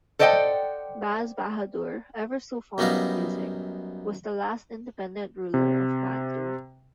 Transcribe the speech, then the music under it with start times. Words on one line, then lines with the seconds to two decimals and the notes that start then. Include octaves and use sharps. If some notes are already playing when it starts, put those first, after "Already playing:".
Baz Bahadur, ever so fond of music, was the last independent ruler of Mandu.
0.19 A4 C5 D5 D#5 F#5 G5
2.78 F#2 G3 B3 D#4 E4 F5
5.54 C3